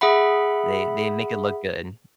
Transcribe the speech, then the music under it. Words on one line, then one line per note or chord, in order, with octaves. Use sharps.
They they make it look good.
G#4 E5 F#5 B5